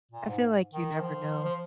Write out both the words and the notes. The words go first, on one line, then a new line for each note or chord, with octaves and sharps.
I feel like you never know.
A#2
G#2
D#3
F3
F3